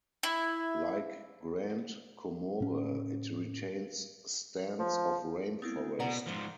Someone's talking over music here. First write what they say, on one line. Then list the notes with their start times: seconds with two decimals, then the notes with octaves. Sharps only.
Like Grande Comore, it retains stands of rain forest.
0.23 E4
2.60 A2 C#4
4.79 F3
5.62 B3 C4 E4
6.00 B2 D5 F#5 A#5
6.26 G#2 F3